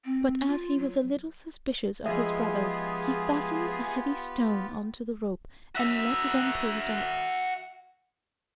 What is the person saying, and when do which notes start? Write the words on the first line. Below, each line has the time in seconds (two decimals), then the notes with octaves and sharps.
But as he was a little suspicious of his brothers, he fastened a heavy stone on to the rope and let them pull it up.
0.05 C4
0.47 F4
0.78 F#3
2.06 F3 G#3 B3 F4 G4 G#4 D#5 E5
5.75 F#4 E5